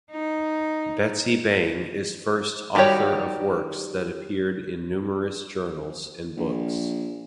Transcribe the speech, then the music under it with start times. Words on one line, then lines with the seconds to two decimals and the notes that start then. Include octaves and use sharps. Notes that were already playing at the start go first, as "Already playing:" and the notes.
Betsy Bang is first author of works that appeared in numerous journals and books.
0.11 D#4
2.75 D#3 G3 F#4 G4 C#5
6.37 A#1